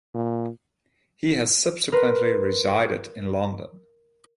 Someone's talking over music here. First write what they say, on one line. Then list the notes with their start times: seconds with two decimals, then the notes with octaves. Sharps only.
He has subsequently resided in London.
0.14 A#2
1.92 A#4 B4 C6